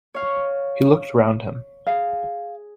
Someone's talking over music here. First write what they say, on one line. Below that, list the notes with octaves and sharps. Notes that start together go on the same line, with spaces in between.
He looked round him.
C#5 F5
G#4 F5